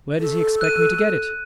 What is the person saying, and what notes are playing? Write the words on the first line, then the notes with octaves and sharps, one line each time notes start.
Where does he expect me to get it?
A4
F#6 D#7